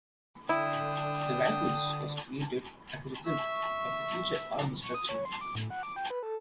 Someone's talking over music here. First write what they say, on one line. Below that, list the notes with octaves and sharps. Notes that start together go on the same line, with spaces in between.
The Rifles was created as a result of the Future Army Structure.
D3 D4 E4 G5 D#6
E5 C#6
C#6
D#6
C#5
C6
D6
A2
F#5
D6
G5
B4
A4